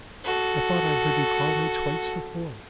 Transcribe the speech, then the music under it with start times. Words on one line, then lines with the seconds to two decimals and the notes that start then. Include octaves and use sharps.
I thought I heard you call me twice before!
0.24 F#4 A4